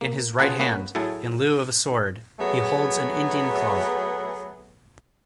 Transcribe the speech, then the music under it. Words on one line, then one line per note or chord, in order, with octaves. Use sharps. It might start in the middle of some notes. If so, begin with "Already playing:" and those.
In his right hand, in lieu of a sword, he holds an Indian club.
A#3
C#3 F4 G#4 B4 F#5 A5
A#3 B3 C#4 B4
A2 F#3 E4 G#4 A5
F#3 A3 B3 G#4